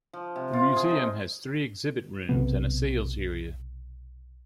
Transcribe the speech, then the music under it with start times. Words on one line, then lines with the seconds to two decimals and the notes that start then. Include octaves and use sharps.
The museum has three exhibit rooms and a sales area.
0.13 F3
0.36 C3
0.53 F4
0.76 G#4
0.91 D#4
2.29 B1 F#2 C3 B3